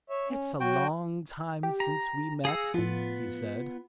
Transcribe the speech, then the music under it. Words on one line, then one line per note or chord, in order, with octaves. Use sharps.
"It's a long time since we met," he said.
C#5 E5
C#4
F#3 F#4 G5
G4
A#5
G#4 F5 E6 A#6 C#7
A2 F3 B3 F4